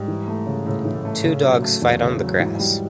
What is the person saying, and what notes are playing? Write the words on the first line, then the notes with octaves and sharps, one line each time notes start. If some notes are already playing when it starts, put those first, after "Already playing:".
Two dogs fight on the grass.
Already playing: G#2 G3
E3
A3
C#3
A2 C#3
E3
A2
A3
C#3
F#3
A3
E2
C#3
F#3
G#2 E3
G3